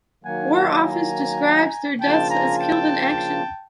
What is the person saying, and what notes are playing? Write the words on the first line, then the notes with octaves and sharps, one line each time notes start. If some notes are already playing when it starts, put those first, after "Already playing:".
The War Office describes their deaths as Killed in Action.
D#3 F#3 A#3 F#5 G#5
G5 A5
G#5 A#5
C#3 F3 A#3 D4 F4 G5 A5
G#5 A#5
G5 A5